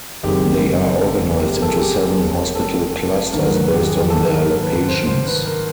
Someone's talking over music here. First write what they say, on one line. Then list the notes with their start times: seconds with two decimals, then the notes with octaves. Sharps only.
They are organised into seven hospital clusters based on their locations.
0.23 F#1 F#2 D#3 G#3 C4 G4
1.00 A4
1.39 G4
1.54 A#4
1.62 A4
1.70 G#4
1.78 G4
2.04 G#4
2.30 C#5
2.55 A4
3.33 G#1 G2 D#3 F#3 A#4
3.52 B4
3.72 G4
3.87 G#4
3.91 G4
4.10 A4
4.35 A#4
4.62 B4
4.88 C5
5.06 C5
5.26 B4
5.38 B4
5.46 A#4